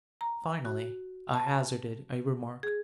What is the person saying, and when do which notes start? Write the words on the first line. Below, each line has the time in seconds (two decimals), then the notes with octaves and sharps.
Finally, I hazarded a remark.
0.21 A#5
0.65 F#4
1.34 A5
2.63 G#4